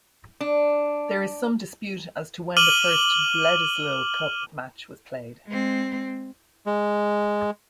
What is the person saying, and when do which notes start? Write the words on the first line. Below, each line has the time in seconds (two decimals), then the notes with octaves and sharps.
There is some dispute as to when the first Bledisloe Cup match was played.
0.41 D4
2.57 D6 F6 D#7 F#7 G7
5.47 G#3 C4
6.66 G#3